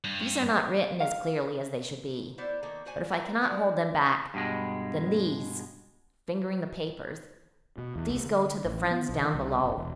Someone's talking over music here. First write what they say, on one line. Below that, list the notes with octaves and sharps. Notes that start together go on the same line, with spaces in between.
"These are not written as clearly as they should be; but if I cannot hold them back, then these"--fingering the papers--"these go to the friends down below!"
G2
F5
B3 E4 C5 D5
D#3 A#3 A4
A2 F#4 C5 D5 G#5
E3 F3 G4 A#4 B4
F3 G3 G#3 D4 F#4
G2 B2 G#3
B2
E2
C2
D3
A1
B3
B1
D#3
C2
F#1
E1